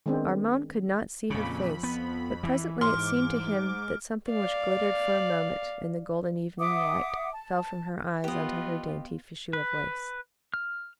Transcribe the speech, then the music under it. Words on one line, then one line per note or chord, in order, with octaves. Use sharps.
Armand could not see her face, but presently it seemed to him that something which glittered for a moment in the golden evening light, fell from her eyes onto her dainty fichu of lace.
D#3 G#3 B3 C4 D4
F2 A#2 C#3 B5
B3
E3
G#2 C6 D6 F6
D5 F5
E5 F#5 D6 D#6
A5
B3 F4 G4 D#5
B4
F6